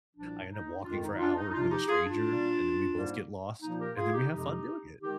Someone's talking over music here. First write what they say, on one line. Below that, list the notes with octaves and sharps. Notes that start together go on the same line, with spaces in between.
I end up walking for hours with a stranger, and then we both get lost, and then we have fun doing it.
C2 A#2 F3 D4
D#4
F2 D#3 G#3 D4 F4
D#4
D4 F4
D#4
D#4
C2 C3 F3 D4 F4
D#4 G4
F4 G#4
D4 F4
A#2 G3 A#3
G#2 G3 A#3
A#2 F3 A#3 D#4
G4 A#4
F4 G#4
D#4 G4
F2 C3 F3 G#3 D#4 G4
D#3 G#3 D#4 G4